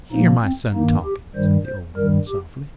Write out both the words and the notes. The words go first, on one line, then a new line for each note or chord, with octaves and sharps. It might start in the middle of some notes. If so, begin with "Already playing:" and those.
"Hear my son talkin'," said the old woman softly.
A#2 F3 A#3 D#4
C4
G2 D#3 A#3 D#4
G4
G2 D#3 G3 C5
C5
G2 D#3 G3 A#4
G4